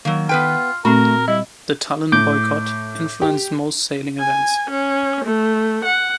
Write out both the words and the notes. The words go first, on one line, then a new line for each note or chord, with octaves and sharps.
The Tallinn boycott influenced most sailing events.
D#3 F#3 A#3
B3 F4 B4 G5
A#2 A3 C4 F#4 A#4
G3 E4 D#5
A2 D6 G6
G4
G#5
C#4
A3
F#5